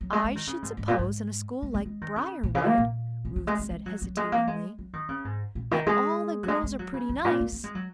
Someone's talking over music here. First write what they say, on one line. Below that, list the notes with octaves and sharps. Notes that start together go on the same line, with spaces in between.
"I should suppose in a school like Briarwood," Ruth said, hesitatingly, "that all the girls are pretty nice."
F#3
G#3
G#3
D#3
C#3
G#2
G#2
A#2
G#2
G#3
G#3
G#3
D#3
C#3
A#2
C#3
A#3
A#2
C#3
F#3
G#3
G#3
G#3
F#3
F#3
G#3
A#3
G#3
F#3
D#3
C#3
G#2
A#2
D#3
G#3
F#3
G#3
G#3
F#3
C#3
F#2
A#2
G#3
A#3
G#3
F#3